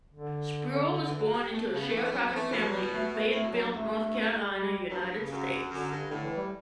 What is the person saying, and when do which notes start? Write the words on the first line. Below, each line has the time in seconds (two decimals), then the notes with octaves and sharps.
Spruill was born into a sharecropping family in Fayetteville, North Carolina, United States.
0.14 D3
0.94 C#4
1.06 E3
1.20 F#3
1.33 G3
1.53 A3
1.73 C#3 A3
1.81 B3
1.88 A3
1.93 E3 B3
2.04 A3
2.12 F#3 B3
2.20 A3
2.28 B3
2.32 E3 A3
2.52 B2 E3
2.62 F#3
2.72 G3
2.93 A3
3.12 A3
3.32 A2 A3
3.42 B2
3.52 A2 F#3
3.62 G2
3.71 F#2 A3
3.92 G2
4.11 F#2
4.21 G2
4.31 A2
4.51 G3
4.91 G2 F#3
5.18 C#3
5.31 F#2
5.70 F#2 D3
5.91 G2
6.10 A2 D3
6.24 E3
6.37 G3